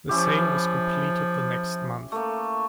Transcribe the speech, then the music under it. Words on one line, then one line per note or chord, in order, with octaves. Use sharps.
The sale was completed the next month.
F3 C#4 E4 G4
A3 A#3